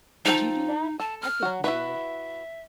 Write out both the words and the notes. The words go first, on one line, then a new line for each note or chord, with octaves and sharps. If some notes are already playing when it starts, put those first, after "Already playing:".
Would you do that? I think you would.
F3 D#4 A4 G5
A4 A5
F6
F#3 F#4
E4 F#4 B4 E5